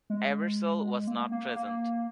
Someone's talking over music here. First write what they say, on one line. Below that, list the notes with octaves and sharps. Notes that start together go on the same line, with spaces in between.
Ebersol was not present.
G#3
A#3
A#3
A#3